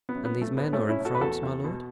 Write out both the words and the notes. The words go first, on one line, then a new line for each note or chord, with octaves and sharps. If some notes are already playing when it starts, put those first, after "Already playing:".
"And these men are in France, my lord?"
B3
F#2
B3
F#3
A3
A2 B3
A3 C#4
F#3
C#4 E4
A2
F#4 A4
B4
E2 F#4 A4
E2
B2